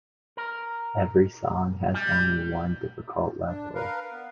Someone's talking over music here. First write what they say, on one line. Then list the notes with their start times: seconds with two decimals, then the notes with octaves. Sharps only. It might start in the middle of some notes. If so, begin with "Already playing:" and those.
Every song has only one difficulty level.
0.37 A#4
1.94 G3
3.47 D4
3.75 A#4 B4 F5
4.12 B3